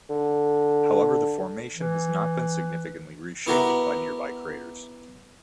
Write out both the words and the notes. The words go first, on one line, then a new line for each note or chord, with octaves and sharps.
However the formation has not been significantly reshaped by nearby craters.
D3
E3
B3 E4 F#4 G4 A#4 B4